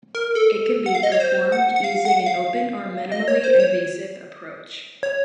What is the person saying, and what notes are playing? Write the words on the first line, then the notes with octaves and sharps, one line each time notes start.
It can be performed using an open or minimally invasive approach.
A#4
A4
F#5
F5
D#5
C#5
C5
F#5
F#5
F5
F#5
F5
D#5
C#5
C5
C#5
C#5